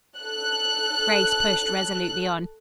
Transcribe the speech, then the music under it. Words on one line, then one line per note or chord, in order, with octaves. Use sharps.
Grace pushed resolutely on.
A4 F#6